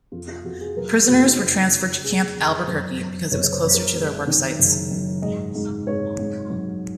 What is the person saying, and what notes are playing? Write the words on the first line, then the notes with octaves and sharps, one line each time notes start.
Prisoners were transferred to Camp Albuquerque because it was closer to their work sites.
F2 F4
F4
F2 F#4
G#4
F#3 A#4
G#4
F#1 F#4
D#4
F2
C#3
C#3 G#4
F2
F#2 C5
F#2
F#1 C#5
C#5
C5
F#1
A#4
G#3
D#3
F#1
F#2
G#2 D#5
G#2
G#2 C#5
G#2
F#3